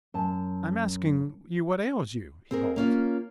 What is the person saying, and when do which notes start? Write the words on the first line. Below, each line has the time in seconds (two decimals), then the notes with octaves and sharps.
"I'm asking you what ails you?" he bawled.
0.14 F#2 A5
2.51 C4 G#4 A#4
2.76 A#3 C#4 F4